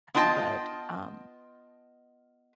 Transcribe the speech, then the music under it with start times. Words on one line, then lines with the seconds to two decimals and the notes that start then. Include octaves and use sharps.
but, um,
0.14 B3 D4 F4 D#5 G5 A5